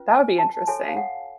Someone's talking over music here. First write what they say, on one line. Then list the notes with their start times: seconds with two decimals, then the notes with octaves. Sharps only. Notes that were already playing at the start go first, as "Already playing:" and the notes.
That would be interesting.
Already playing: C#4 F4 B4
0.09 G#5
0.38 A5
0.68 F#4 A4 C#5 G#5
0.89 F5
0.97 F#5